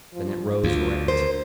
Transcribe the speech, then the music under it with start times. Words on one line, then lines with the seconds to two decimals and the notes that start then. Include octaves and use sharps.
Then it rose erect.
0.14 F3
0.64 D2 F4
1.08 A#4 C5